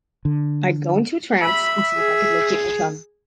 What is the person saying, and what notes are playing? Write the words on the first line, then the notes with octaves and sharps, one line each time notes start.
I'd go into a trance and see if I could locate my chum.
D3
E5 B5
G#4